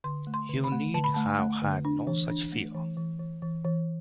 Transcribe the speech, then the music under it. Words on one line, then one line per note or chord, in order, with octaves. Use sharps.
You need have had no such fear.
D3 C6
A3
C6
D3
B5
A3
D3 A5
B5
A3 A5
A3
D3
D4
E3
D4
A3
E3
E3
E3
E3
E3